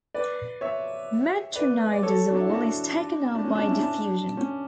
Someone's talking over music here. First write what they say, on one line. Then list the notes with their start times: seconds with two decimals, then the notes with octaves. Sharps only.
Metronidazole is taken up by diffusion.
0.14 B4 D5
0.61 C#5 E5
1.55 B4 D5
1.92 D5
2.03 A4 C#5
2.30 D4
2.40 E4
2.50 D4 F#4
3.35 D4
3.44 C#4
3.55 D4
3.67 C#4 E4
3.79 D4
4.37 C#4